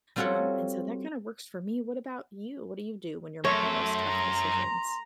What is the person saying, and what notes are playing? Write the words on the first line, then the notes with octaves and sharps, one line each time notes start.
um, and so that kinda works for me. What about you? What do you do when you're making those tough decisions?
G3 C4 F4 F#4 A4 C#5
F#2 A3 C#5 C6
A#5